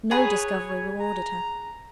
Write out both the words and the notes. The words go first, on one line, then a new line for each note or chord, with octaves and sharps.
No discovery rewarded her.
G#4 B4 C#5
A#5